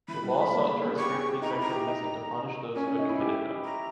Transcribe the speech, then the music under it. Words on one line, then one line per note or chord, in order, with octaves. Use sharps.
The Law sought to restrict these activities and to punish those who had committed them.
E3 B5
G3
G#3
A#3
A#3
B3
G4 C#6
G#4
G4
D#4 A#5
B5
E4 A#5
G4
D#4
C#4 G#5
C#4
D#4
E4
G4
A#5